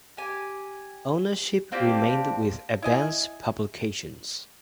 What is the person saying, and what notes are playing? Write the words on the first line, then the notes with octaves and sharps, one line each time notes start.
Ownership remained with Advance Publications.
G4 G#5
A#3 C4 D4 G4
E4 D#5 G#5